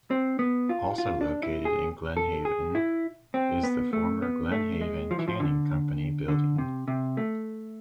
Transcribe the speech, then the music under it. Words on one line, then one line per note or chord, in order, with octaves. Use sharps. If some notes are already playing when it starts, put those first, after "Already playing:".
Also located in Glen Haven is the former Glen Haven Canning Company building.
C4
B3
F4
F4
D4
E4
G#4
A4
G#4
E4
C4
B3
A3
B3
A3
G#3
F3
E3
F3
D3
D3
C3
C3
A3